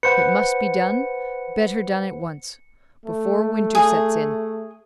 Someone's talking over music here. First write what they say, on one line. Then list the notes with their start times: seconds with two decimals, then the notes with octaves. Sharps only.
If it must be done--better done at once, before winter sets in.
0.03 B4 C5 F#5 C#7
3.05 A3
3.75 G#4